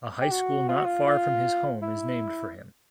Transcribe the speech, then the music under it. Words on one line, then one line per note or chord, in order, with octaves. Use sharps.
A high school not far from his home is named for him.
G4
F#4
F4
F#4
F4
F4
E4